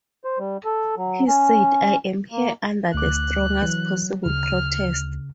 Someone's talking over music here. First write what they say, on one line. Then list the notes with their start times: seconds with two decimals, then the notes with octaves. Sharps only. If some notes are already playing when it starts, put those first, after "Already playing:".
He said: I am here under the strongest possible protest.
0.24 C5
0.39 G3
0.65 A4
0.97 F#3
1.28 C#4
2.32 A#3
2.94 D2 D6 F#6
3.62 E3 F#3
4.26 D2 C#3 F6